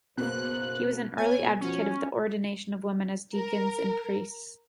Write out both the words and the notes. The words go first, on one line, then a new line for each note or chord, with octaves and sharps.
He was an early advocate of the ordination of women as deacons and priests.
F#1 B2 A#3 C5 F#6
B3 C#5 G#5
F3 C#4 F#4
A#4